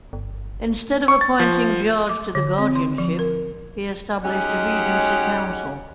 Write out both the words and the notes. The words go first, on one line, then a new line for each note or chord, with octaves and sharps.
Instead of appointing George to the guardianship, he established a regency council.
G1
C#6
A6
F3
D6
D3
C4
C6
F3
A#4
F#3 G#3 C#4 D#4 G4 F#5